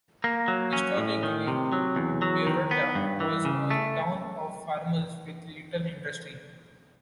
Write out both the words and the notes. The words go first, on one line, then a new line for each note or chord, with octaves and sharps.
Historically Berriatua was a town of farmers with little industry.
A#3
F#3
C#4
A2
D#3
C3
F#3
E2
F#3
D#3
B3
G2
E3
C#3
A3